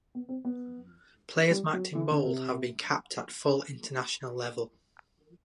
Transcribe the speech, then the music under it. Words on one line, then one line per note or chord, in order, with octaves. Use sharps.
Players marked in bold have been capped at full international level.
B3
C4
B3
G3
F#3
E3
D3
C3